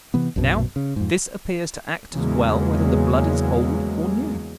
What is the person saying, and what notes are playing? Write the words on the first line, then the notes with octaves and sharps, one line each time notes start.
Now, this appears to act as well whether the blood is old or new.
C3 E3 B3
A#1 F#2 B2
C#3
F2 G#2
E2 C#3 F#3 G#3 A#3